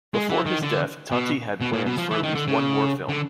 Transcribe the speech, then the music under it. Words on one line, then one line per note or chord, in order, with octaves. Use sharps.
Before his death Tati had plans for at least one more film.
G#3
E3
D#3
D3
B2
B2
A#2
B2
F3
E3
D#3
D3
C#3
D3